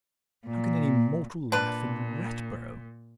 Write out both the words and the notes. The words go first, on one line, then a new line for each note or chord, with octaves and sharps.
How can any mortal laugh in Ratborough!
A#2
A#2 D4 B4